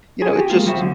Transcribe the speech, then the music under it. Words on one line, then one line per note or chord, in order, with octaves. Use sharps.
you know, it just
G#4
F#4 G4
G#3 A#3 F4
F3 G3 F#4 G#4 C5 E5
F#2 D3